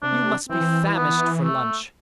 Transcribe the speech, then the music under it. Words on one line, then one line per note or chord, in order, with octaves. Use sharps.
You must be famished for lunch.
C3 D4
E3 C4
B3
A3